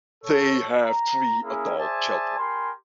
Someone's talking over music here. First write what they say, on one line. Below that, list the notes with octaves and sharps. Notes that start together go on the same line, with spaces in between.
They have three adult children.
A4 C#5
A#5
A#3 C#4 E4 G#4
G#4 C5 D5 E5 G#5 A5
G4 A#4 G#5 B5 C6